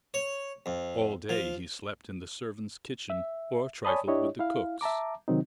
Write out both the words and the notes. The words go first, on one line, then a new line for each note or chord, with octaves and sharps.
All day he slept in the servants' kitchen or trifled with the cooks.
C#5
F2
F3
E5
C#5 D5 G#5 A5 B5 D#6
D4 E4 G4 C#5 D#5
E4 F5
E5 A5 A#5 D6
C3 D#3 F#3 C4 D#4